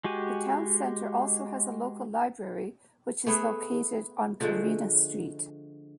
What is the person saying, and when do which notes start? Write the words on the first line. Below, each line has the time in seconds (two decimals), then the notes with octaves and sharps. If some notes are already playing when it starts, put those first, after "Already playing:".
The town centre also has a local library which is located on Corinna Street.
0.04 G#3 F#4 G4 G#5
3.27 A3 B3 G#4
4.41 D3 F3 G#3 A3